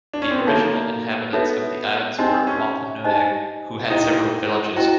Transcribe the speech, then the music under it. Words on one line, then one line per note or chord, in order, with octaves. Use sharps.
The original inhabitants of the islands were Wampanoag, who had several villages.
D4
C#4
C4
B3
A#3 D#4 F#4 A4 C#5 E5
B3 D#4 F#4 A4 C#5 E5
C4 D#4 G4 C5 D#5 G#5
C#4
D#4 G4 C5 D#5 G#5
D#4 E4 G4 C5 D#5 G5
E4 F#4 G4 C5 D#5 G5